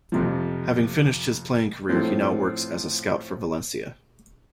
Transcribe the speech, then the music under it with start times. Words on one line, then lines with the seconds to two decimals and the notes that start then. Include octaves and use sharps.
Having finished his playing career, he now works as a scout for Valencia.
0.12 F2 C3 F3
1.89 A2 F3 C4